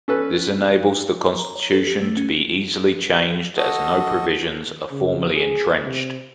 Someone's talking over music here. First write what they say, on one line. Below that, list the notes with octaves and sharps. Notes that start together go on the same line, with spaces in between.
This enables the constitution to be easily changed as no provisions are formally entrenched.
C#4 A4 B4
A#5
C#5
A4
G4
A3
C#4
F#4 A4 D#5
C#3
G#4
C3